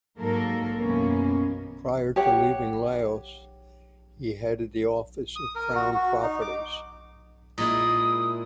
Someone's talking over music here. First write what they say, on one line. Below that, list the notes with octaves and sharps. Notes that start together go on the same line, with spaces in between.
Prior to leaving Laos he headed the Office of Crown Properties.
G#2 F#3 A#3 A4 A#4
F#2 B2 E3 A#3 B3 C#4
G4 C#5 F#5
D#6
A#4
F#4
F#4
D#4
D6
A#2 G#3 E4 D#6